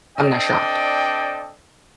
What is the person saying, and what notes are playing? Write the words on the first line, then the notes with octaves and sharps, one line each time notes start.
I'm not shocked."
C4 D4 A4 D5 D#5 G5